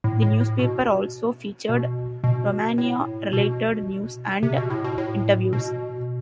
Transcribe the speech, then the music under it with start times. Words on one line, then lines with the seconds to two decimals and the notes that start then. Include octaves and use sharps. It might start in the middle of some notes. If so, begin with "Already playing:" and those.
The newspaper also featured Romania-related news and interviews.
0.04 A2
0.22 A2
0.41 A2
0.59 B2
1.69 B2
2.24 B2
2.78 A2
3.33 B2
4.43 C3
4.57 B2
4.70 A2
4.84 B2
4.98 A2
5.53 B2